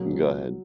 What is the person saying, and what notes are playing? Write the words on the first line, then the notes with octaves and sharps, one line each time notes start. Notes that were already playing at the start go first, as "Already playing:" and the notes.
Go ahead.
Already playing: B2 F#3 A#3 C#4 G#4